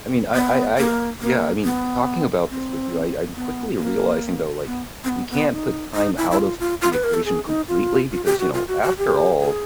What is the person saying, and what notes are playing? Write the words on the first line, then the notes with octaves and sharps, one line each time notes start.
I mean, I I I yeah, I mean, talking about this with you, I I'm quickly realizing, though, like, we can't put time out of the equation completely because, you know, after all,
B3
A#3
A#3
B3
C4
B3
A#3
B3
C4
B3
B3
D#4
D#4
E4
E4
F4
F4
F4
B4
A#4
A4
G#4
D#4
F4
F4
G4
F#4
F4
F#4
F#4
G4
G#4